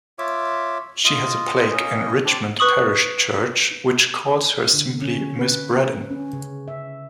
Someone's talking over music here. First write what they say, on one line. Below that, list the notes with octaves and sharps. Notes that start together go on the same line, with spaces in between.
She has a plaque in Richmond parish church which calls her simply 'Miss Braddon'.
F4 C#5 E5 D6
F4 D#5
A#3 C#4 D#5
C4 D4 D5 A5
B4 C#6 D#6 F#7
D3
C#4
B4
C#4
C#3
E5